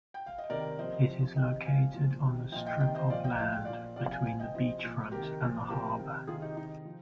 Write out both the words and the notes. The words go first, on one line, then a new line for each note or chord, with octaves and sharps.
It is located on the strip of land between the beachfront and the harbour.
G5
F5
D#5
C3 D#3 A#4 D5
C3 F3 C5 D#5
C3 F3
C3 D#3 D#5 G5
C3 F3 F5 G#5
A#2 F3
C3 D#3
A#2 F3 D#5 G5
D#5 G5
C3 D#3 D#5 G5
C5 D#5
A#2 F3 D5 F5
D#5 G5
A#2 F3 F5
G5
A#2 F3 D5 F5
C3 F3 D5 F5
F5 G#5
A#2 F3 F5 G#5
D#5 G5
C3 F3 C5 D#5
A#2 F3
C3 D#3 G4 A#4
A#2 F3
C3 F3 G4 A#4
C3 D#3
C3 D#3 F4 G#4
D#4 G4
C3 D#3 D#4
F3